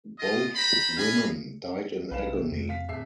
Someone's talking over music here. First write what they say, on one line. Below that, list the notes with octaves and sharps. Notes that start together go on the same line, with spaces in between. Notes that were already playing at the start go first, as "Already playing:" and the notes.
Both women died in agony.
F4 D#5
C5 A#5 B5
D#5 F5 G#5 B5
B1 B4 F5 E7
C3
F2
F5 B6
D1 E5 C7